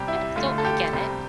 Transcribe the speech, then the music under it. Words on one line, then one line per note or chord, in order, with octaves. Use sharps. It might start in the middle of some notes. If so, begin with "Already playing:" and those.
eh, so I get it,
Already playing: C2 C3 G3 G4
E4
D2 D3 A3 F4
A4
G4
C2 C3 G3